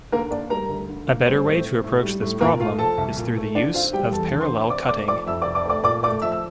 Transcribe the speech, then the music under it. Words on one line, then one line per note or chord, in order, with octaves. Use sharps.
A better way to approach this problem is through the use of parallel cutting.
D3 A#3 A#4
A#3 D4 D5
G3 A#4 A#5
D2
D3
A#3
G3 C4 C5
A2
C4
A2
G3
A2
A#2 A#3 A#4
A3 F4 F5
F3 A4 A5
C2
A#2
A3
D3 D4 D5
C4 F4 F5
G3 G4 G5
E2 A4 A5
D3
C5 C6
C4
C3 D5 D6
A3 D5 D6
F3 D5 D6
F2 E5 E6
D5 D6
C3
D5 D6
A3 D5 D6
A#2 D5 D6
A3 D5 D6
F3 E5 E6
E6